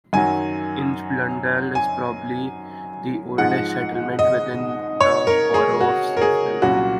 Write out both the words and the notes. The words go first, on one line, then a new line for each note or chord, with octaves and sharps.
Ince Blundell is probably the oldest settlement within the borough of Sefton.
F#2 D#3 F#3 G#5
G#5
G#2 F3 G#3 F#5
D#5
C#5
A#4
G#4
F#4
A#4
G#4
C2 A#2 F#3 C#4 F#4